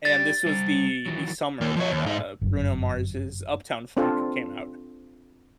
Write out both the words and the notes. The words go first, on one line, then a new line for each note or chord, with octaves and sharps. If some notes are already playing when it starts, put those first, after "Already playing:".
and this was the the summer that, uh, Bruno Mars' Uptown Funk came out,
G4 D5 A6
G3 C5
D#3 E3 F#3
D#2 A#3
F3 C#5
D#2
G#2 D#4
G1 F#2
C4 D4 F4 A4